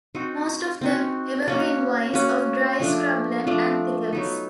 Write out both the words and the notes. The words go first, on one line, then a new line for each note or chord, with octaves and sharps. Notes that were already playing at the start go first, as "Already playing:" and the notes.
Most of them evergreen vines of dry scrubland and thickets.
C4 D#4 F#4
C4 D#4 F#4
A#3 C#4 F#4
A#3 C#4 F#4
F3 A3 D4
F3 A3 D4
F#3 B3 D#4